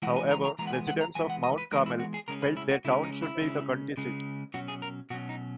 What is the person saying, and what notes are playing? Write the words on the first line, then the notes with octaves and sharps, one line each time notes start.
However, residents of Mount Carmel felt their town should be the county seat.
E3 G#3 B3 F#5
G#5
A#5
A#5
E3 G#3 B3 A#5
F#5
G#5
F#5
A#5
E3 G#3 B3 G#5
F#5
D#5
B4
E3 G#3 B3 A#4
E4
F#4
G#4
C#3 G#3 C#4 A#4
B4
E4
F#4
C#3 G#3 C#4 E4
D#4
E4
C#3 G#3 C#4
C#3 G#3 C#4
B2 F#3 C#4 F#4
G#4
A#4
B2 F#3 C#4 F#4
D#4